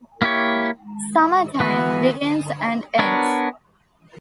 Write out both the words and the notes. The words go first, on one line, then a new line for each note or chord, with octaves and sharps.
Summer Time, begins and ends.
A#3 E4 G4 C#5
E3 B3 F#4 B4
B3 D4 A#4 C#5